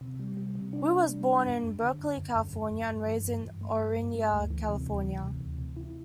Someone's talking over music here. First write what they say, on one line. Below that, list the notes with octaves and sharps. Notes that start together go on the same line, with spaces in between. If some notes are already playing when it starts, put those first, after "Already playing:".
Wu was born in Berkeley, California, and raised in Orinda, California.
C3
G3
G3
C3
D4
C3
G3
G3
F#2
F#2
D3
F#2
F#2
F#2
F#2
F#2
G2
E3
G2
G2
A3
G2
G2
A3
D2
E3
C3
D2
E3
C3
D2
C3
E4